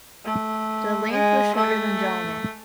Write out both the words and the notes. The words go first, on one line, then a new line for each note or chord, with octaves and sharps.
The length was shorter than Jama.
A3
G#3
A3